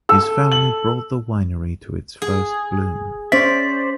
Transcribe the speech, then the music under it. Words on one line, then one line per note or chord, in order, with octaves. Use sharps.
His family brought the winery to its first bloom.
A4 E6
F#7
G#4
C#4 C5 D5 E5 B6